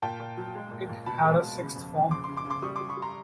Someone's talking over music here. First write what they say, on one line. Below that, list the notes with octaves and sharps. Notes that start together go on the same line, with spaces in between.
It had a sixth form.
A#2 G5 A5
A#2
F#3
G#3
A#2
A#2
B2 A5 B5
G#3
B2
C#3
F2
F2
C#3 C6 D6
C#3 C6 D6
C6 D6
C#3
C6 D6
G3 C#6 D#6
C6 D6
G3
B5 C#6
G3
A#5 C6